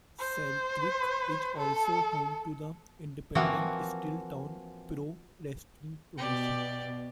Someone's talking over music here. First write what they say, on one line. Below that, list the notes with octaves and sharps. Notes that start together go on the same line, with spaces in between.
Selkirk is also home to the independent Steeltown Pro Wrestling promotion.
C5
A4
E3 F3 A#3 C4 F#4
B2 G4 D5